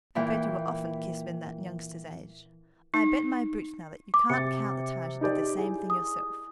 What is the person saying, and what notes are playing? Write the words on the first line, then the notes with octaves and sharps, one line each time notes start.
I bet you were often kissed when that youngster's age. I bet my boots now that you can't count the times you did the same thing yourself.
A#2 E3 G5
D#4
D6
C3 A6 C#7
D#4 G4 D5
E4 G#4
D#6